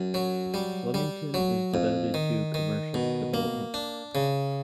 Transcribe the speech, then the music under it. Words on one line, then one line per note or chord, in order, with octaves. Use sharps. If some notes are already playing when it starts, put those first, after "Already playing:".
Flemington is devoted to commercial developments.
Already playing: F#2
F#3
G3
G3
F#3
F2
D#3
D#3
B2
A#3
D4
C#3